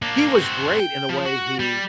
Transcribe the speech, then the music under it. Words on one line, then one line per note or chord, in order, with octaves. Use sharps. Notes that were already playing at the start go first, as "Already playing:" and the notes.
he was great in the way he
A#3 D4
C4 F#4
G5
F3
F#4
G3